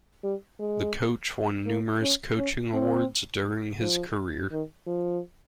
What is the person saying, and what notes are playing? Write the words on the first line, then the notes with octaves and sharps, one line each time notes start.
The coach won numerous coaching awards during his career.
G3
G#3
A#3
C#4
C#4
C4
F3
D#3
F3